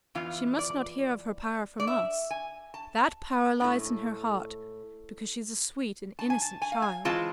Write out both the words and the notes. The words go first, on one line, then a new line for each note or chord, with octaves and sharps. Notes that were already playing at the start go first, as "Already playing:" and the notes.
She must not hear of her power from us; that power lies in her heart, because she is a sweet and innocent child!
F2 E3 B3 F4 F5
D5
D5
E5
G#5
A5
A2 G#3 D4
A5
G#5
A5
G#5
F5
G#5
E3 G#3 C4 F4 A5